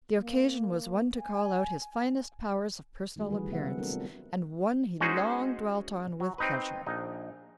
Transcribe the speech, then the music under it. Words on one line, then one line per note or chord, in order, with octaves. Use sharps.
The occasion was one to call out his finest powers of personal appearance, and one he long dwelt on with pleasure.
A#3
G#5
D#3 G3 A3 F#4 G#4
D3 E3 G3 B4
C3 A#3 B3 E5 F#5
F#3 C4
A3 B3 D4 D#4 A4 A#4
B3 F4
G#3 C#4 D#4 F#4 G#4 C5
F#3
C4 D#4 B4
A#1 D#4